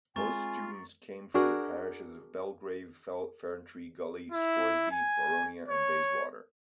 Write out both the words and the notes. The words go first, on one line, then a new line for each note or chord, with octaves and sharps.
Most students came from the parishes of Belgrave, Ferntree Gully, Scoresby, Boronia, and Bayswater.
G#3 C4 F4 G#5 A#5 C#6 A6
D4 F#4 G#4 A#4
E4
G#5
C#5